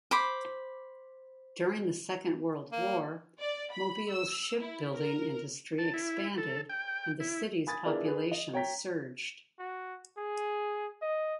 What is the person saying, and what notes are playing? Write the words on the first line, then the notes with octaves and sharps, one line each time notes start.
During the Second World War, Mobile's shipbuilding industry expanded and the city's population surged.
C5 B5 D6
A#3
D5
B5
E6
E4
A#4
A5
E4
A4
G5
E4
G#5 B5 D#6 G#6 A6
B3 D4 E4 F4 G#4 A#4
G#4 B4
D#5
C#5 G5 A#5 B6
F#4
G#4
D#5